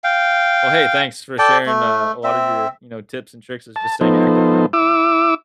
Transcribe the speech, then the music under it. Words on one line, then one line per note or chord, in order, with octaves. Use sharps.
Well, hey, thanks for sharing a a lot of your, you know, tips and tricks is just staying active and having fun.
F5 G5
A4 D5 G5 A5
A3
C4 E5
A5
F3 B3 D#4 A4 C5
E4 D6 E6